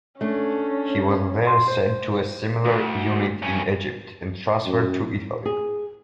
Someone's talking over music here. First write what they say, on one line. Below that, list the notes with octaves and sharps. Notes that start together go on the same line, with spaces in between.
He was then sent to a similar unit in Egypt and transferred to Italy.
A3 C#4 D4
C6
C5
D2
G2 C#4
F#2
G#4